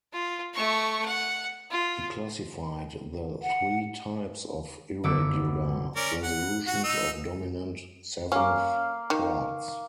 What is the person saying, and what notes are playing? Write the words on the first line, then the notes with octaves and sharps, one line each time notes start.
He classified the three types of irregular resolutions of dominant seventh chords.
F4
A3 C#6
F#5
F4
F#5
F#1 D3 B3 D6 E6
C#4 A#4 D5
F#5
F#4 F#5
D#4 E6
A#3 C#4 F5
D#3